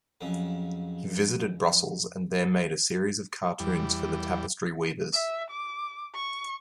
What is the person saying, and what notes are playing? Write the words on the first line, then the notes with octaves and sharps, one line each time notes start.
He visited Brussels, and there made a series of cartoons for the tapestry-weavers.
F2 C#3 F#3
E2 G3
E5
D6
C#6